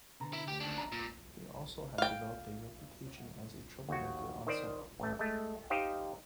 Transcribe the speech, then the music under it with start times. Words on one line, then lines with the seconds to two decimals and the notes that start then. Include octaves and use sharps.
He had also developed a reputation as a troublemaker on set.
0.20 B2 D3 A#5
0.33 E4
0.48 D2 G4
0.60 D#2 D4
0.78 A#5
0.92 A#2
1.98 F5 G5
3.89 D#2 F#4
4.47 D#3 C5 D5
5.00 A1 A3
5.19 G#3 A3
5.70 D#4 G4 C5 D#5 F5